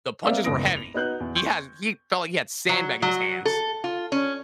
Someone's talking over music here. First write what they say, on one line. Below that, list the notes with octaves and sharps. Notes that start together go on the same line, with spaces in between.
the punches were heavy. He had he felt like he had sandbag in his hands.
A#3 C4 C5 D5 E5 F5
F#1 E2 G#2 D#6 A#6 D7
F7
B3 D#4 F#4 F#6 G6 F#7
E2
C6 C#6 G6 G#6
F#3
F#3
A4
F4
C#4